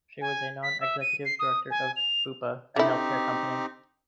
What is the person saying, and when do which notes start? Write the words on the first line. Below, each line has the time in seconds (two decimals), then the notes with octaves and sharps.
She was a non-executive director of Bupa, a healthcare company.
0.21 G#5
0.63 B6
0.81 E5
1.01 D#7
1.25 C7
1.39 D#6
1.71 G#5
1.96 F7
2.76 D3 C4 D#4 E4 G4